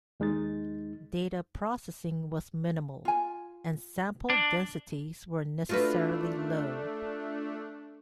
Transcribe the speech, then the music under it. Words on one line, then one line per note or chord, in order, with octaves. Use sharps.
Data processing was minimal and sample densities were necessarily low.
D#2 G#3 D#4 A6
F4 G#5
D4
A3 D4 F4 F#4 B4